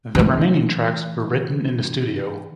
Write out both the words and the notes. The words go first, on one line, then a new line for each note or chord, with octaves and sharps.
The remaining tracks were written in the studio.
E3 A3